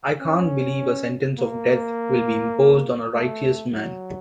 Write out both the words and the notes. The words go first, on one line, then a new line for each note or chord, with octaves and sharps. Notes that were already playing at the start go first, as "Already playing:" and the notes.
I can't believe a sentence of death will be imposed on a righteous man.
C#4
A#3
A3
F#3